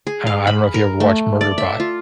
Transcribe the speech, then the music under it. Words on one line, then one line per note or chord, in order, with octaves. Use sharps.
uh, I don't know if you ever watched Murderbot,
G#4
F5
B5
A#4
A3
D5
E5
F4